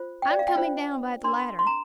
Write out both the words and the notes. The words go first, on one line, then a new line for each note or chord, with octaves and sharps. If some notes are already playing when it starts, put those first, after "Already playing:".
"I'm coming down by the ladder."
Already playing: F4 C5
G5
D5
F5
G5
D4 F4 C5
D4 A#4 C6
C6
A#5